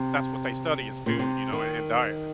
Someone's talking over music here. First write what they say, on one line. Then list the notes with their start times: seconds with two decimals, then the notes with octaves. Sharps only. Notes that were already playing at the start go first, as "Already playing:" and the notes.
that's what they study is food, you know, and, and diet.
Already playing: C3
1.06 A#2
1.19 C3
1.53 D#3